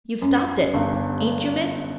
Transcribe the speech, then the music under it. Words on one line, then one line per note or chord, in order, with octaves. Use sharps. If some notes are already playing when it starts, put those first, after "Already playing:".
"You've stopped it--ain't you, miss?"
F#2
G1 G2